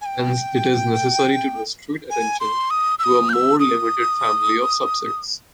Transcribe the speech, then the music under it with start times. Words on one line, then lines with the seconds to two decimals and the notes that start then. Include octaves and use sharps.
Hence, it is necessary to restrict attention to a more limited family of subsets.
0.01 G#5
0.06 G5
2.10 G#5
2.40 C6
2.70 D#6
2.99 E6
3.04 D#6
3.29 G6
3.33 E6
3.60 D#6